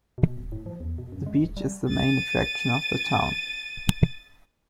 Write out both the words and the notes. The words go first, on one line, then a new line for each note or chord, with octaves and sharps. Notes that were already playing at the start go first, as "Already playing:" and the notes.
The beach is the main attraction of the town.
B2
D1
A2
F3
E2
B2
F#2
G#3
D1
G3
A6 D#7